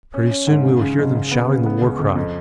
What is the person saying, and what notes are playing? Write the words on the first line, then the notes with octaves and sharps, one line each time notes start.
Pretty soon we will hear them shouting the war-cry.
C#4
C#4
G#2
C#3
C#3
F#1
C#3
B3
C#3
B3
C#2
C#2
F2